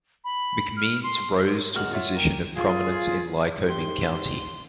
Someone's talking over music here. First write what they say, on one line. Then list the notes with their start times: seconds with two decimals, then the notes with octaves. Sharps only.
McMeens rose to a position of prominence in Lycoming County.
0.24 B5
0.77 F6
1.03 C6
1.75 D1 G#2 F#4 G#4 F6 F#7
1.91 F4 F#4 C#5 E5
2.16 A#3 G5
2.56 F4 G#4
3.69 G#2 G4 C6